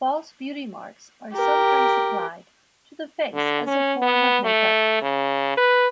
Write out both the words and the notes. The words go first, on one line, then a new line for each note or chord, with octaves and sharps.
False beauty marks are sometimes applied to the face as a form of make-up.
G4 A#4
D3
C#4
B3
A3
C#3
B4